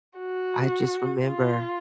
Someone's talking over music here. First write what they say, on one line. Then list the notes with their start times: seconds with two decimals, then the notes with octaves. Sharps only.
I just remember
0.19 F#4
1.21 F4